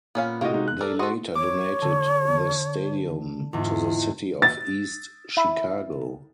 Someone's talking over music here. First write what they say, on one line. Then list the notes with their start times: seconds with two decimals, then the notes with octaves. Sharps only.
They later donated the stadium to the City of East Chicago.
0.15 A#2 B3 C#4 F5
0.41 A2 C3 A#3 F4 F#4 D#5
0.53 G#3 D#4
0.68 F#6
0.81 A4 A#4 D5
0.99 F#4 A4 D#5 C6
1.35 C#5 D6
1.82 D3
3.53 E2 G#2 F4
4.42 A6
5.37 E4